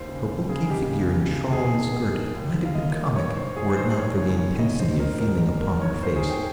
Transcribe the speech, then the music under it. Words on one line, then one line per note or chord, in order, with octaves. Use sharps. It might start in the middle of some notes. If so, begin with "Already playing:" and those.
Her bulky figure in a shawl and skirt might have been comic were it not for the intensity of feeling upon her face.
Already playing: D#2 C5
C#3
D#2
C#3 G#4
C#2 G4
C#3
C#2
C#3
D#2 G#4
D#3
D#2
D#3
D#2
D#3
F5
D#2 D#5
D#3
G2 C#5
D#3 C5
G2 G#4
D#3 C5
D#2 C#5
C#3 C#5
D#2 C#5
C#3 D#5
F2 C5
D#3 A#4
F2 A#4
D#3 A#4
G2 A#4
D#3 C#5
G2 C5
G#4
D#3
G5